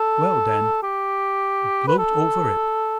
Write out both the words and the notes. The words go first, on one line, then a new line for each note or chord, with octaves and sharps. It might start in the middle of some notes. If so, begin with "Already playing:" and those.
Well then, gloat over it!
Already playing: A4
G4
B4
A4